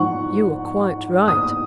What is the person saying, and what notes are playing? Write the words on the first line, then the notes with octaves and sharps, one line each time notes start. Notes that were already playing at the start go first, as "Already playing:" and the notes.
'You are quite right.
Already playing: G#2 F3 F#5 C#6
D#6